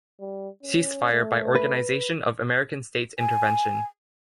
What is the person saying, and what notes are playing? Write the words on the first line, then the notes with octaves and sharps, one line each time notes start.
Ceasefire by Organization of American States intervention.
G3
C#4
A3
B4
G#5